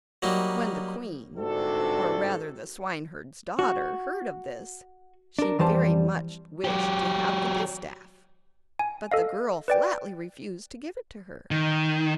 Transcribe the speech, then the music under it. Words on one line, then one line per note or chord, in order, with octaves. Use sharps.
When the queen--or, rather, the swineherd's daughter--heard of this, she very much wished to have the distaff, but the girl flatly refused to give it to her.
F#3 G3 A#3 D#4 F#4
G1 G#2 C3 D4 F#4 A4
F#4
D4 A#4
F2 E3 G3 C5 A5
F#3 G4
G#5
A4 D#5 F5
B4 D5 G5
D#3